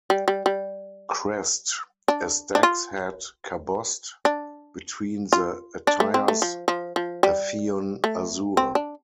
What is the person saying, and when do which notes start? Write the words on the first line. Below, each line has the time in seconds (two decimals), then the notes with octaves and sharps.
Crest: a stag's head cabossed, between the attires a pheon azure.
0.10 G3
0.28 G3
0.46 G3
2.08 D4
2.55 D4
2.63 F4
4.25 D4
5.33 F4
5.87 D4
6.00 A3
6.14 C4
6.28 A3
6.42 F3
6.68 F3
6.96 F3
7.23 G3
8.04 A3
8.57 C4
8.75 D4